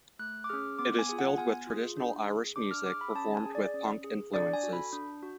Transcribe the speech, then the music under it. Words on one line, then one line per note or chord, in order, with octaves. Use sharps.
It is filled with traditional Irish music performed with punk influences.
A3 F#6
D6
C#4 G#4 F6
B3 D6
G#5
F4 G#4
F#5
B3 G#5
F4 G#4
D4
G#4
D4 D6
F6
G#4 D6
B5
C#4 A5
G#5
G#4
D5
C#4
G#4
D4 D5
G#5
F#4
A4 B5
D4
F#4